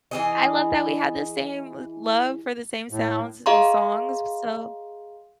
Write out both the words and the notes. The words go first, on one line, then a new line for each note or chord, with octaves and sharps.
I love that we have the same love for the same sounds and songs, so
E3 G#4 D#5
A2
G#4 D#5 F5 A#5 C6